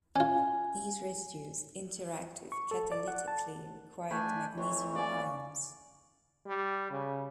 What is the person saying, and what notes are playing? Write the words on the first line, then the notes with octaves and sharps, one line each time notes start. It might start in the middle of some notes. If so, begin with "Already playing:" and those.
These residues interact with catalytically required magnesium ions.
C#4 F4 G#5
C#6
A4
D5
F#5
A5
A3 D4 G5 G#5 B5
F2 E3 C#5 C6
D5 F5 G#5
G3
C#3